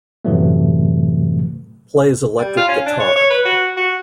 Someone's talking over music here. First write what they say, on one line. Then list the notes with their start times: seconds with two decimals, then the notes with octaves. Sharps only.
Plays electric guitar.
0.25 F#2 A2 C3 E3 F#3 A3
2.38 G3
2.57 F4
2.68 C#4
2.86 D4
3.00 C#5
3.16 C#5
3.30 B4
3.45 F#4
3.77 F#4